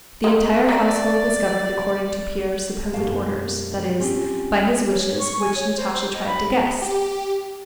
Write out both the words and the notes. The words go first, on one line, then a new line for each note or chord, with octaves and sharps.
The entire household was governed according to Pierre's supposed orders, that is, by his wishes which Natasha tried to guess.
G#3 A#3
A#3 D5
F#2 B2 G#3 G4 F5 A5
C4 C#4 F4 G4
C#5
C#6
G#5
C#5
C5
C5
D#5
B5
G4